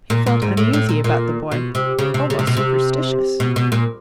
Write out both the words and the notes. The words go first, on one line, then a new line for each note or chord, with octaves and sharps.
He felt uneasy about the boy--almost superstitious.
A#2
A#2
G#2
A2
A2
A#2
A#2
B2
C3
C#3
C3
C#3
C3
B2
C3
B2
B2
A#2